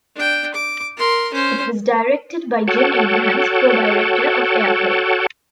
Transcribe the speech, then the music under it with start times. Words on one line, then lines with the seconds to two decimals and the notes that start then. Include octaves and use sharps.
It was directed by Jim Abrahams, co-director of Airplane!
0.16 D4 G5
0.54 D6
0.97 A#4 C6
1.34 C#4 C5
2.68 F#4 A4 C#5 F#5 G5 A5